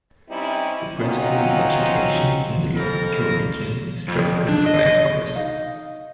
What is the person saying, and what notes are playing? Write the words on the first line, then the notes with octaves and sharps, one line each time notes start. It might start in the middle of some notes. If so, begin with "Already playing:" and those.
The principal vegetation in the ecoregion is tropical dry forest.
G3 C4 C#4 D#4 E4
F#3 C4 C#4 D#4 F4 F#4
F2 A4 A#4 B5
F2
D4
D#5
D#4 D#5 F5